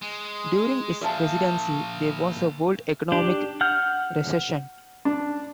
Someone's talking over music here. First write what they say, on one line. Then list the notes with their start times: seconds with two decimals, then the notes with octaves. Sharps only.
During his presidency, there was a world economic recession.
0.02 G#3
1.01 A#2 F3 E5 F5 A5
3.12 D4 G4
3.61 F#5 F6 G6
5.05 D4